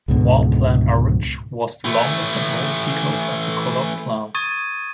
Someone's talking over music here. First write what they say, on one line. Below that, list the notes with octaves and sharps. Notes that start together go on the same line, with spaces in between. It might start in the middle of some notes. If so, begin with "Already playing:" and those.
War Plan Orange was the longest and most-detailed of the colored plans.
C#2 G#2 B2 D3
E3 A3
C#6 D#6 G#6 A6 D#7